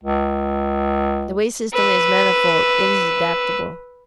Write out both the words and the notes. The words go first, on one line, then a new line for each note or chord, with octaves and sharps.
The wage system is manifold, it is adaptable.
C#2
B4 E6